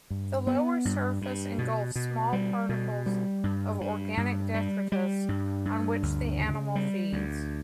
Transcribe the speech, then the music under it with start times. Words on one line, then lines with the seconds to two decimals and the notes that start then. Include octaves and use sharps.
The lower surface engulfs small particles of organic detritus, on which the animal feeds.
0.10 G2
0.47 B3
0.85 G2
1.22 G2
1.58 B2
1.95 B2
2.33 G3
2.69 B2
3.06 G3
3.44 G2
3.81 G2
4.17 G2
4.54 G3
4.92 G3
5.29 G2
5.65 G2
6.03 D2
6.39 C#3
6.76 G3
7.13 D2